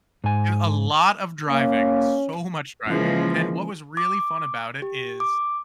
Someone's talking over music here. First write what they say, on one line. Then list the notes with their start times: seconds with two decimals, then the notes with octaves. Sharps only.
There's a lot of driving, so much driving, and what was really fun about it is,
0.24 G#2 G#5
1.49 A#3 C#4
2.87 C#3 E3 F3 G#3 A#3
3.97 D6
4.82 G4
5.20 D6